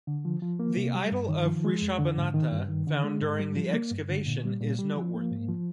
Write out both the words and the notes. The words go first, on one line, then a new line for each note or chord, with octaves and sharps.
The idol of Rishabhanatha found during the excavation is noteworthy.
D3
F3
F3
A#3
C3
G3
G2
D#3
F3
G#3
F2
D3
G#2
D#3
G2
D#3
D3
G#3
G#2
G3
F3
A#3
G2
D3
A#2
G3
A#2
G3
F3
A#3
G#2
F3